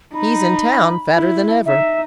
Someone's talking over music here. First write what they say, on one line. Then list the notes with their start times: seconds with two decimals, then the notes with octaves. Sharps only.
He's in town, fatter than ever.
0.14 D#4 B5
1.15 E4
1.65 D#4 E5